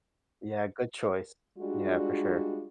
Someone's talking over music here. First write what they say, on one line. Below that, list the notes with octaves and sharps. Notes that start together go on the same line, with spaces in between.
Yeah, good choice. Yeah, for sure.
G3 G#3 D4 F4 F#4